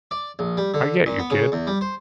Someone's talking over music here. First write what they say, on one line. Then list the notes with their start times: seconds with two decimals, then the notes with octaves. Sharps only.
"I get you, kid."
0.11 D5
0.39 A#1
0.57 G3
0.74 D3
1.06 A#2
1.19 B3
1.31 C#3
1.52 E2
1.67 G3
1.81 C5